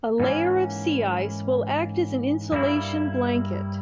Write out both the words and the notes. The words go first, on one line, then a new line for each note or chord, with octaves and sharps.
A layer of sea ice will act as an insulation blanket.
G#2 E3 A#3 C#4
G2 G3 A#3 E4